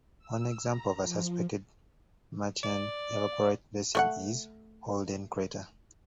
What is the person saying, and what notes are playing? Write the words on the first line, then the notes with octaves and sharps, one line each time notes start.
One example of a suspected Martian evaporite basin is Holden Crater.
E6
A#5
F3
D5
A3 C#5 F#5